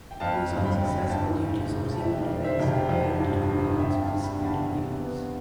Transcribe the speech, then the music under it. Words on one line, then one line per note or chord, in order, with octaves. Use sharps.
It was unsuccessful due to subsequent events that prevented compliance with the signed agreements.
G5
F2 F5 A5
G1
G5 B5
G1
D2 F5 A5
E1
E1
A5
F2 E5 G5
D5 F5
F3
C5 E5
F1 G5
D5 F5
F3
G2
G2
C3 E5 G5
F5 A5
D4
G5 B5
E2
F5 A5
C3
B3